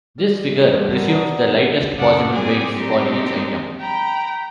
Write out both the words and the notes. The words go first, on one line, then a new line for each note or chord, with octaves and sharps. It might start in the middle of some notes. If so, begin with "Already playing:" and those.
This figure presumes the lightest possible weights for each item.
G3
E3
G3 A3 B3 G#4 C5
A4 A#4 F#5 B5
D5 G#5 A#5 D#6
E2 B3
F#2 C#3 D5 F#5 A5
G#2 G3 C4 G#4 D6
F#3 G#3 C4 D4 D#4 G4
G5 A#5 B5